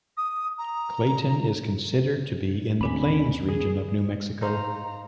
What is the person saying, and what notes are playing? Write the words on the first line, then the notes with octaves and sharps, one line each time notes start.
Clayton is considered to be in the Plains region of New Mexico.
D#6
A#5
D#2 C#3 C4 D4 G#5 B5
G#4
D#4 C5 F5 A#5